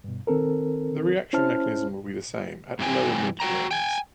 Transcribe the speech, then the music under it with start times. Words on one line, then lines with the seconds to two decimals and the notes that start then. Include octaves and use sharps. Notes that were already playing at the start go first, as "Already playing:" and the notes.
The reaction mechanism will be the same at lower-mid blends.
0.04 G2 B2
0.27 D#3 C4 A4 A#4
1.33 C#4 E4 C5 A5 F6
2.79 G2 C3 E3 G5 G#5
3.40 F#4 G4 G5 A#5
3.71 G5 G#5